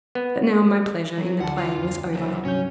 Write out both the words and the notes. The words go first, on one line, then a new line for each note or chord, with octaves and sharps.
But now, my pleasure in the play was over.
B3
F#3
D2 F#5 A5
F4
F2
C#3 F3 F#3
G2 C3 F#3 C#4 C#5 G6